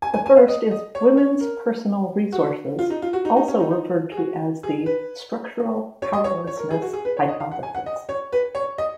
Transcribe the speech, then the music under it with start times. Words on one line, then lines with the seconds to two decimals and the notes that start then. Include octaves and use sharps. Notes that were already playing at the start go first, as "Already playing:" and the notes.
The first is women's personal resources, also referred to as the "structural powerlessness hypothesis".
0.02 G#5
0.14 G#5
0.26 G#5
0.36 F5
0.48 D#5
0.71 D#5
0.95 C#5
1.17 C#5
1.41 A#4
2.32 F#4
2.79 F4
2.90 D#4
3.02 F4
3.13 F#4
3.25 D#4
3.37 D#4
3.48 C#4
3.60 D#4
3.71 D#4
4.12 G#4
4.17 F#4
4.63 G#4
4.86 B4
6.02 C#5
6.13 D#5
6.24 C#5
6.47 C#5
6.59 A#4
6.70 G#4
6.82 F#4
6.93 G#4
7.05 B4
7.17 C#5
7.28 D#5
7.40 F5
7.52 F#5
7.63 G#5
7.75 F#5
7.86 D#5
8.09 C#5
8.32 B4
8.55 C#5
8.78 D#5